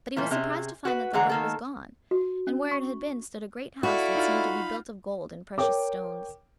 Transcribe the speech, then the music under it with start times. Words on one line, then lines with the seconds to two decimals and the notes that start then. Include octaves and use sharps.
But he was surprised to find that the brook was gone, and where it had been stood a great house that seemed to be built of gold and precious stones.
0.16 A#2 E3 G3 A3
0.31 C3 C#4 G#4 E5
0.85 F#4 B4
1.13 D3 E3 G#3 G#4 F#5 A#5
1.29 D#3 A#3 A4
2.11 F#4
2.47 C#4
2.71 C#6
3.83 E4 F#4 A4 D5 F5 B5
4.15 D#4 F4 F6
5.58 A#4 C#5 G5 D6